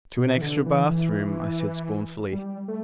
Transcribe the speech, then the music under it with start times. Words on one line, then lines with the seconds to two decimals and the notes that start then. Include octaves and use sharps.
"To an extra bath-room," I said scornfully.
0.18 B2
0.37 E3
0.42 D3
0.66 E3
0.89 E3
2.33 G3
2.68 A3